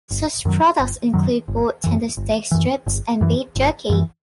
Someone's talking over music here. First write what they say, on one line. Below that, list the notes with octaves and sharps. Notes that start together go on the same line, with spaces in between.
Such products include both tender steak strips and beef jerky.
G1
F#2 D#3 F#3
G1
F#2 D#3 F#3
G1
F#2 E3
G1
F#2 E3
G1
F#2 E3
G1
F#2 E3